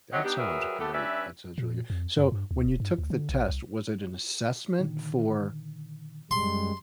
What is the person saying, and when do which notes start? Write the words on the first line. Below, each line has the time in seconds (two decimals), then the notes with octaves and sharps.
That sounds great, that sounds really good. So, when you took the test, was it an assessment for
0.12 C3 F#3 D#5
0.24 B3 D4 D#4 G4
0.37 F#3 G3 G#4 A#4 B4 E5
0.79 A3 B3 G4 A4
0.93 G2 C#4 B4 D5 E5
1.58 A#2
1.90 F2
2.17 F#2
2.32 G2
2.51 D2
2.66 D#1
2.80 G2
2.98 D2
3.10 D3
3.29 A#1
3.49 C2
4.79 A#2 D3 D#3
6.31 F#2 G3 G#3 C6